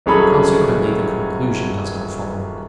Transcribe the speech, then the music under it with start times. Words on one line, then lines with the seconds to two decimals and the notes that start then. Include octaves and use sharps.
Consequently the conclusion does not follow.
0.06 D#1 F#3 C#4 G#4 A4 B5